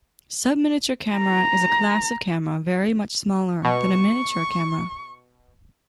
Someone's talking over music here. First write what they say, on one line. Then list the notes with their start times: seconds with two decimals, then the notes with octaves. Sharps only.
Subminiature camera is a class of camera very much smaller than "miniature camera".
1.17 A#5
3.65 B2 C#6